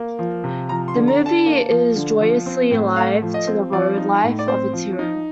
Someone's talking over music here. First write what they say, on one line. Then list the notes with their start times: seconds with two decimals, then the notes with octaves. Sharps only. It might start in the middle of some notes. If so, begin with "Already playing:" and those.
The movie is joyously alive to the road life of its hero.
Already playing: A#3
0.19 F3
0.44 C3
0.69 F3 A#5
0.88 C6
0.94 D3
1.08 A#5
1.20 D3
1.26 A5
1.46 A#3
1.71 F3
1.96 D3
2.21 F3
2.46 C4
2.71 A2
2.96 A3 F5
3.22 F3
3.34 D#5
3.47 C4
3.72 F3 D5
3.98 D#4
4.23 A2
4.39 D5
4.48 C4 C5
4.73 F3
4.99 D#4